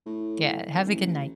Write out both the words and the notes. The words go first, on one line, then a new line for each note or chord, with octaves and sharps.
Yeah, have a good night.
A2
G#1
A1